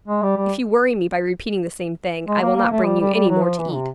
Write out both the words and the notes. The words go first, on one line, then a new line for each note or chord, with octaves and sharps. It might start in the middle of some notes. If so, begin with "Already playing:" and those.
"If you worry me by repeating the same thing, I will not bring you any more to eat."
G#3
G3
G3
G#3
A#3
A#3
A3
G3
G3
G3
F#3
F3
E3
C3